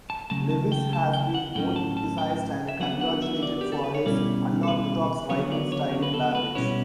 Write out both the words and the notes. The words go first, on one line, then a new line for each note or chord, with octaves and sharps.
Lewis has been both criticized and congratulated for his unorthodox writing style in "Babbitt".
A5
C#3 F#3 A3 A5
A5
G5
A5
G5
F#5
A2 F#3 C#4 G5
A5
A5
G5
E5
F#3 B3 D4 F#5
F#5
E5
D5
G4
A4
B4
C#5
B2 G3 C#4 E4 D5
A4
B4
D3 F#3 B3 C#5
D5
C#5
B4
A4
B4
B2 G3 C#4 E4 C#5